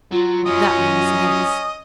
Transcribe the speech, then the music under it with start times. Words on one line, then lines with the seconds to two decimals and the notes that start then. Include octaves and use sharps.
That means yes.
0.12 F#3 F4
0.46 F#2 F#3 C#4 D#5